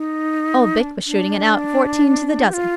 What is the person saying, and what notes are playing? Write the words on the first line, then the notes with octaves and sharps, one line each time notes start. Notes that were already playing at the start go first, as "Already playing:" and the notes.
Old Bick was shooting it out fourteen to the dozen.'
Already playing: D#4
D4
D4
G4
F4